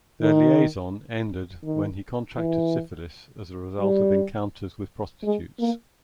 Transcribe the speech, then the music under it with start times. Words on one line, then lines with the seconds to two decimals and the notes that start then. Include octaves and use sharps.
Their liaison ended when he contracted syphilis as a result of encounters with prostitutes.
0.21 D#3
1.64 D#3
2.36 E3
3.80 G3
5.23 G#3
5.59 A#3